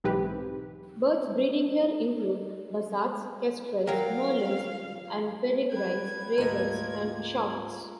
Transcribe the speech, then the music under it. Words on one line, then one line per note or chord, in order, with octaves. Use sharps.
Birds breeding here include buzzards, kestrels, merlins and peregrines, ravens and choughs.
B1 G#2 E3 C4 G4 B4
F#3 F4 A#4 B4 F5 G5
B4 G5 G#6
D2 G#2 A3 A#3 F4 G4 A#4 D#5